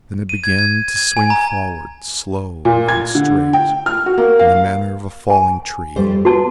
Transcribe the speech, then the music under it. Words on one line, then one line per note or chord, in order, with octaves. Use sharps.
Then it began to swing forward, slow and straight, in the manner of a falling tree.
D#7
G#6
G#6
G#6
G#5
A#5
A#2
G#6
D3
G5
F6
F#4
A#3
F5
G#5
F2 G3 C5
B3 F#4 A5